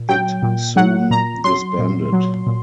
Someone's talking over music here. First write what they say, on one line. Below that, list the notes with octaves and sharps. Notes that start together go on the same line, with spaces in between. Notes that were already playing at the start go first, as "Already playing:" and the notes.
It soon disbanded.
Already playing: A#2
F#3 G5
A#2
F#3 F#5
A#2 A#5
F#3 C6
A#2
F#3
A#2